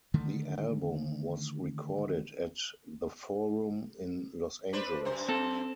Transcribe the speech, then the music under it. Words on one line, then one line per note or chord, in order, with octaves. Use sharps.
The album was recorded at The Forum in Los Angeles.
D3 D#3 A3
D4 B4 C5
F#2 C5
C4 A4